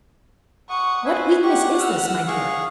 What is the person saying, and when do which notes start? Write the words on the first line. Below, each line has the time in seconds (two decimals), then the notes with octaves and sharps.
What weakness is this, my dear!
0.69 F#5 C#6 D#6
1.05 B4 C5 E5 G#5
1.43 G4 F#5 C#6
1.80 E6 F6
2.27 G#4 F5 C#6